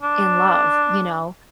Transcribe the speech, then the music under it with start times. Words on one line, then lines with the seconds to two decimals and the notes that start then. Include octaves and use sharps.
in love, you know?
0.02 D4